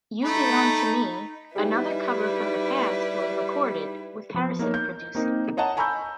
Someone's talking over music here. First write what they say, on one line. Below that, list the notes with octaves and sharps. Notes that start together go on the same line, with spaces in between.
"You Belong to Me", another cover from the past, was recorded, with Harrison producing.
A3 D#4 B5
G3 D#4 E4 G4 G#4 B4
F3 B3
A#3 D#4 A#4 C#5
G6
A#3 C4 D#4
C#5 D#5 F#5 A5 A#5
G#5 A#5 B5 C#6 E6 G6